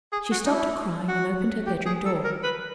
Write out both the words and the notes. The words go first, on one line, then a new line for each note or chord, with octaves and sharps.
She stopped her crying, and opened her bedroom door.
G#4
F#4
D#4
E4
F#4
G4
G#4
A4
A#4
B4